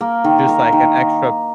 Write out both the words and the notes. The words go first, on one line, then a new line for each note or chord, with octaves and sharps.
just, like, an extra
A#3
D#3
A#4
D#3